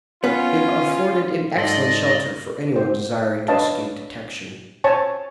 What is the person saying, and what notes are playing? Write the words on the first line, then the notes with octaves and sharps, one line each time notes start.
It afforded an excellent shelter for anyone desiring to escape detection.
B3 C#4 F4
G#2 A4 D5 D#5 C6
C5
D4 B4 C#5 D#5 F5 A5
C5 C#5 G#5 A5 C#6